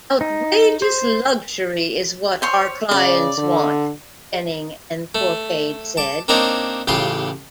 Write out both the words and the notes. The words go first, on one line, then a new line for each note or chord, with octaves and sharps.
"Outrageous luxury is what our clients want," Denning and Fourcade said.
D#4
C5
C5 C#5 C6
C#3 D5
D3
A3
A5 D6
A#3 C4 D4 D#4 A#4 C#5
A1 C#3 F4 G4 C6